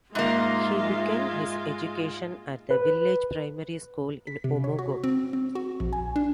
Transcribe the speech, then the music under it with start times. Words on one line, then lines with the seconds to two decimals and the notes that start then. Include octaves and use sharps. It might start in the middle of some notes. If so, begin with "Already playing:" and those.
He began his education at the village primary school in Umuagu.
0.15 G#2 G#3 A#3 F4 E5
2.71 B4
4.27 B6
4.44 C3
4.64 C#5
4.79 F#4
5.04 C4
5.33 C4
5.55 F#4
5.80 A#1
5.93 G#5
6.16 D4